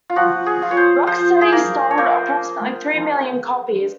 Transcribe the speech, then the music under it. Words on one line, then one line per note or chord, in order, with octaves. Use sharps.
"Rock Steady" sold approximately three million copies.
F4
F3 F#4
G#4
F4
C#5
C5
F3 C5
G#4
A#3 A#4
C#5
A#3 C5